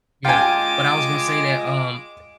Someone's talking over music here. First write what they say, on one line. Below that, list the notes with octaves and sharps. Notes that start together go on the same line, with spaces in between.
yeah. But I was gonna say that, um,
G#3 F4 G5 G#5 D6